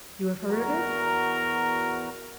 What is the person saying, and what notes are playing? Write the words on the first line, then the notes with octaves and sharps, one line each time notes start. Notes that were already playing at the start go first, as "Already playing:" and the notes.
You have heard of it?
E2 F#4 A#4 A#5